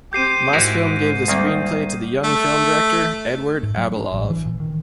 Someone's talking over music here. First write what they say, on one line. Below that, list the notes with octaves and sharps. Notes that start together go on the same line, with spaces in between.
Mosfilm gave the screenplay to the young film director Eduard Abalov.
C4 G4 G6 C7 D#7
G#2 E4 F#4 A#4
D2 D#3 G3 A#3 C4 D6
A3
G#2
F#3
D4
A1
E3
A#2
D#3